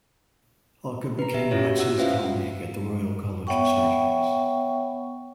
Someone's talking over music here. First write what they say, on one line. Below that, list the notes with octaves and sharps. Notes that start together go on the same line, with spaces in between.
Hulke became Huxley's colleague at the Royal College of Surgeons.
B4 A#5
G4 E5
C#4 E4 F4 G4 C#5
F#4
F#5 E6
C#4 F4 B4 C5 E5 F5
B3 C#5 E5 F#5 G5 C#6